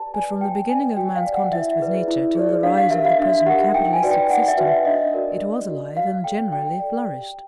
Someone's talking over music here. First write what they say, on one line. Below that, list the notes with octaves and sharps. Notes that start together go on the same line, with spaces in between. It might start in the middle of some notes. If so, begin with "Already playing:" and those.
But from the beginning of man's contest with Nature till the rise of the present capitalistic system, it was alive, and generally flourished.
Already playing: G4 B4 D5 A5
B4 D5 G#5
F#4 G5
B4 D5 G#5
F#4 G5
F5
B4 D5
F#5
E4 E5
G#4 B4 D5
E4
G#4 B4 D5
D4 F5
F5
G4 A#4 E5
F5
D4 E5
G4 A#4 F#5
D#4 G5
G#5
F#4 B4 D5
G5
D#4 F#5
E5
F#4 B4 D5
E5
D4 D#5
F#4 A#4 D5
D4
F#4 A#4 D5
F#4 F5
A4 D5 G5
F#4 G5
A4 D5
G4